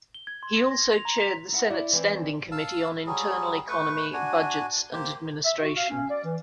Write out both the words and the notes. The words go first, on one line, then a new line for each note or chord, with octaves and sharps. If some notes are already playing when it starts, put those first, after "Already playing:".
He also chaired the Senate Standing Committee on Internal Economy, Budgets and Administration.
G7
G#6
C6
A#6
A#6
F7
A#5
B6
E4 F#5
E4 D5
E3 C4
F5 A5 E6
F#3 G3 G#4
A3 B4 C#6
D4 F#4 G#5
A#3 G4 C5
E5
F#4
F5
C#4
D5
E3